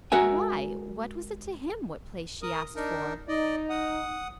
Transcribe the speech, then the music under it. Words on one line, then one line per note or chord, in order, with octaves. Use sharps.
Why, what was it to him what place she asked for?
G#3 F#4 A#4 E5 G#5
A#4 D#6
D4 D#4 A#4
D#4 D5 D#5
F#5 D#6